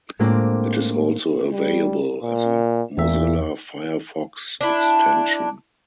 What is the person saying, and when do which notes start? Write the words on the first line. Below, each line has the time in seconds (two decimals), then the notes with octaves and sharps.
It is also available as a Mozilla Firefox extension.
0.19 A2 G#3 A#3 C4 D4 F4
1.52 G3
2.22 A#2
2.98 E2 A#2 E5
4.61 D4 E4